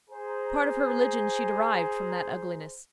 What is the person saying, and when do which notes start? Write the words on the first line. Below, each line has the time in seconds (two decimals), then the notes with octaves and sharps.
A part of her religion she derived from that ugliness.
0.10 G#4 C5 A#5